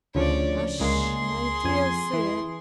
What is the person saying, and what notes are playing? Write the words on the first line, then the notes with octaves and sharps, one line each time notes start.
'Hush, my dear sir!
D2 C#3 F3 C#5 D5
C#2 G#3 A#3 G#4 C6
F2 G#5
E3